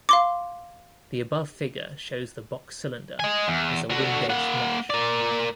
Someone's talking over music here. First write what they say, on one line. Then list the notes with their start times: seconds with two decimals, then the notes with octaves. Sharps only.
The above figure shows the "box-cylinder" as a winged-edge mesh.
0.09 F5 C6 D6
3.20 D#5 G#5
3.48 E2
3.90 D3 F#4
4.29 A#3 F#5
4.90 A#3 D5